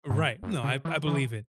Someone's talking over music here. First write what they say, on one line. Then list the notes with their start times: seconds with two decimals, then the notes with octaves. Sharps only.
Right, no, I b I believe it,
0.10 G#2
0.43 F#2
0.63 C#3
0.85 E3
1.07 E3